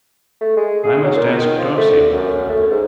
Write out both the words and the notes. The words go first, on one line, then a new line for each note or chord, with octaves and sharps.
I must ask Darcy about that.
A3
G#3
G#4
F#3
A#2
D#3
F3
A3
D3
F#2
A3
G#2